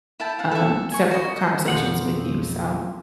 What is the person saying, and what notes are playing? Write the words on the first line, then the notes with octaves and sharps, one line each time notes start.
um, several conversations with you. So,
E4 G5 A5
F5 F#5 A5
A4 E5
G#5 C#6
F#4 D#5
D#5
B1 F2 C#3 F3 C4 F#5